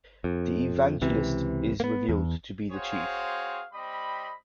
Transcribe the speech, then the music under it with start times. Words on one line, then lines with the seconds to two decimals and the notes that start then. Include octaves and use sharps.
The evangelist is revealed to be the chief.
0.24 F2
1.01 C#2 C3 E3
1.80 A#3 B3
2.09 E2
2.72 C4 F#4 G#4 C5 C#5 F5
3.74 G3 C4 D#5 B5